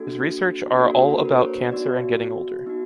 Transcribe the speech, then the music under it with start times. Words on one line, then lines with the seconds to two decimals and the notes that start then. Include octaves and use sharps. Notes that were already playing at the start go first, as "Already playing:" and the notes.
His research are all about cancer and getting older.
Already playing: A#3 D4 F#4 A4
0.79 A#3 D4 F#4 A4 C#5
1.09 A4
1.17 A#4
1.25 B4
1.33 C5
1.41 C#5
1.72 B3 D#4 F#4 D5
2.66 B3 D#4 F#4